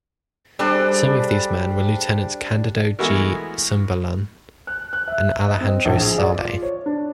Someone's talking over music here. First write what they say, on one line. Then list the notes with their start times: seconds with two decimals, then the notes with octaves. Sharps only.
Some of these men were Lieutenants Candido G. Sumbalan and Alejandro Sale.
0.59 G3 C4 D4 G#4 A4
2.99 E3 G#3 A3 B3 F#4 A#4
4.67 F#6
4.93 F#6
5.08 E5
5.48 D#5
5.61 C4
5.85 A#1
5.99 G#4
6.18 D5
6.39 F4
6.62 C#5
6.86 D4